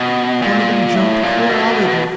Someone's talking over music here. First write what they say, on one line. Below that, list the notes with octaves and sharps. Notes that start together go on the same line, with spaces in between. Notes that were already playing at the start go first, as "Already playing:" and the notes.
Some of them jumped clear out of it.
Already playing: B2
A#2
A2
A#2
B2